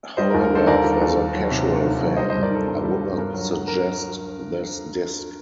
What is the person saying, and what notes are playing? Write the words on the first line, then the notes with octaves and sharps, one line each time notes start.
However, for the casual fan, I would not suggest this disc.
G3 C5 D#5
A#4
D#2
A#4
D3 A4 C5
D#2 A#4 D5
G3
D#2
D#3
F#3
C3
D2
D#3
F#3
G3 C5 D#5
G2 C5 D#5
A#4 D5
D#3 A4
G2
G3
G2
G2 A#4
F#3
F#3
A#4